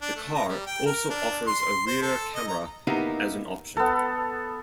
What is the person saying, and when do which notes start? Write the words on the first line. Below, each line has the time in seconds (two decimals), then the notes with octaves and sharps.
The car also offers a rear camera as an option.
0.02 D4
0.16 A3
0.35 A#5
0.49 G3
0.67 G5
0.86 A#4
1.10 D4
1.47 C6
1.87 C5
2.02 A4
2.35 D#5
2.48 A#5
2.87 A#3 B3 D#4 E4 G4 A#4
3.77 B3 A4